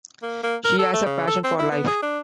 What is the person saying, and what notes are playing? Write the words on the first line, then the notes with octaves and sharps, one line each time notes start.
She has a passion for life.
A#3
A#3
A#4
A4
A3
C#3
A4
C4
E4
B3
G#4
D4